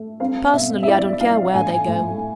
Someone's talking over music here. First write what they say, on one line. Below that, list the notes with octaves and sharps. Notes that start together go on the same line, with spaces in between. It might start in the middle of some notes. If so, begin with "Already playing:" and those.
Personally, I don't care where they go.
Already playing: A3
C4 F5
B2 E5
E5
E4 D5
E4 F5
A2 G#5
A2